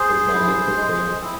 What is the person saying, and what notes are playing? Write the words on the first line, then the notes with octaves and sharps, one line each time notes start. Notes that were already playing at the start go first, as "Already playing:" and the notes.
at least when I do cook for them.
Already playing: G#4 C5
E4
G#3
C4 E4